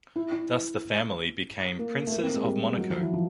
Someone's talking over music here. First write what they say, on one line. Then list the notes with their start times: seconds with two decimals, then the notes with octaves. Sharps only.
Thus the family became Princes of Monaco.
0.16 E4
0.32 E4
1.79 A#3
2.07 A3
2.12 A#3
2.23 C4
2.34 G#3
2.45 G3
2.78 F#3
2.90 F3
3.01 E3
3.13 F3